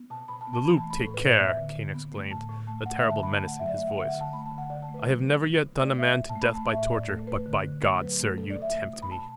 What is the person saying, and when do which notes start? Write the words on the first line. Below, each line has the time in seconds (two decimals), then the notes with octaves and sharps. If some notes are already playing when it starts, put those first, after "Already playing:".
"Le Loup, take care!" Kane exclaimed, a terrible menace in his voice, "I have never yet done a man to death by torture, but by God, sir, you tempt me!"
Already playing: B3
0.10 B2 A5
0.28 B2 B5
0.41 A5
0.47 B3
0.53 A5
0.65 E3 B5
0.78 A5
0.84 A3
0.90 B5
1.02 A2 A4
1.14 B4
1.21 A2
1.26 D5
1.39 B3 E5
1.57 D3
1.75 D3
1.94 B3
2.13 A3
2.31 A2 A5
2.49 A2
2.67 A3 A5
2.86 A3 F#5
2.99 E5
3.05 D3
3.11 A5
3.23 D3 B5
3.35 A5
3.41 A3
3.47 F#5
3.59 F#3 E5
3.69 D5
3.78 A3 E5
3.87 F#5
3.97 D3 E5
4.09 F#5
4.15 D3
4.21 A5
4.33 A3 B5
4.46 A5
4.52 D3
4.58 F#5
4.70 D3 D5
4.82 A5
4.89 A3
4.94 B4
5.07 F#3
5.26 B3
5.44 B2
5.62 B2
5.81 A3 D5
5.98 B2 E5
6.17 B2
6.29 A5
6.36 A3
6.42 B5
6.54 A3 A5
6.72 A2 E5
6.91 A2 D5
7.09 A3 A4
7.27 A3 B4
7.46 D3
7.64 D3
7.83 A3
8.01 F#3 B4
8.20 A3
8.38 B2 A4
8.50 D5
8.56 B2
8.62 E5
8.75 A3
8.93 B2
9.02 B5
9.11 B2 A5